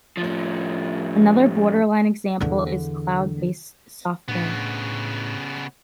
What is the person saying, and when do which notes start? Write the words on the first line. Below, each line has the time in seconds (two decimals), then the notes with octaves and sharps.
Another borderline example is cloud based software.
0.17 A2 F3
2.40 E2 D3
4.28 A2 C#3 B3 D4